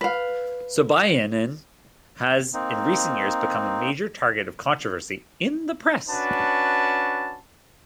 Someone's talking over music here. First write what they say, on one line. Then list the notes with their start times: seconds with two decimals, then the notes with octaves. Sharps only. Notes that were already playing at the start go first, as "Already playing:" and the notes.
Sobyanin has in recent years become a major target of controversy in the press.
0.01 B4 F5
2.54 A#3 C4 D#4
6.09 C#4 D4 F#4 B4 A5